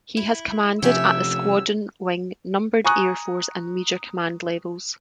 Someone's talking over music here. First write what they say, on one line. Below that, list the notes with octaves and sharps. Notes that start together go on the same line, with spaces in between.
He has commanded at the squadron, wing, numbered air force and major command levels.
E4
C3 F3 C#4 G4 E5 E6
G#5 A#5 C#6 D#6 F#6